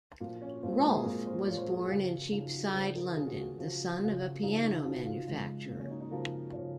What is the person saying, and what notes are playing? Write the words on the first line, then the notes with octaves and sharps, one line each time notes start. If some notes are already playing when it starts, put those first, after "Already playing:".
Rolfe was born in Cheapside, London, the son of a piano manufacturer.
A#2 F3 A#3
C#4
A#2 F3 C4
G#3
A#3
G#4
A#2 F3 A#4
C5
A#2 F3 C#5
C5
G#4
G#4
C#3 F3 F#4
C#3 F3 D#4
F#4
G#4
C#3 F3 C5
A#4
C#3 F3 G#4
F#4
F#4
C#3 F3 F#4
C#3 F3 F#4
C#3 F3 D#4
D#4
C#3 F3 F#4
F4
C#3 F3 G#3
C#3 F3 A#3
C#4
D#4
D#4
C#3 F3 A#4
C#3 F3 C#5